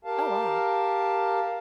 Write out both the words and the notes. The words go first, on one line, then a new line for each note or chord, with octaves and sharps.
Oh, wow.
G4 A#4 F5 A5